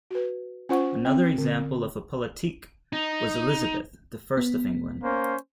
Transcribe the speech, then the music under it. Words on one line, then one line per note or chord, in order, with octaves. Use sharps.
Another example of a politique was Elizabeth the First of England.
F#4 B4
C#4 F4 C5 F#5 C#6
C4
D3
D#4
B3
A#3 C#4 C5